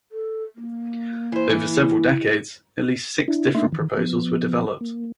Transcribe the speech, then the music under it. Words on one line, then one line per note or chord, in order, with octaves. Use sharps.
Over several decades At least six different proposals were developed.
A4
A#3
E3 C5
E3
D4 E4
A3 A#3 D4 D#4 E5 C6
D#3 E3
F3 B3
A#3